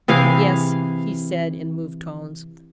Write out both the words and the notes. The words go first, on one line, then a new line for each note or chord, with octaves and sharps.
"Yes," he said, in moved tones.
C3 E3 G#4 F5